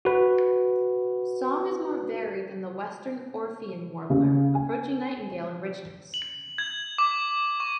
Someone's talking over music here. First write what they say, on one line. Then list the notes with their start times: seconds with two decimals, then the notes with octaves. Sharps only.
Song is more varied than the western Orphean warbler, approaching Nightingale in richness.
0.05 F#4 B4
4.10 C#3
4.55 G#5
6.14 F#7
6.58 G#6
6.98 D6
7.60 C#6